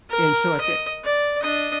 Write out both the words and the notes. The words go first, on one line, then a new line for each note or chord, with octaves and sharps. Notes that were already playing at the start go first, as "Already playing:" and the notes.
And, so, at that
A#4
D#5
D5
D4 D#5